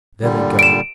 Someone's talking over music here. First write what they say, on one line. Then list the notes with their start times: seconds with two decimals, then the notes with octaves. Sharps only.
"There they go!"
0.23 A#2 D3 G3
0.59 D7 E7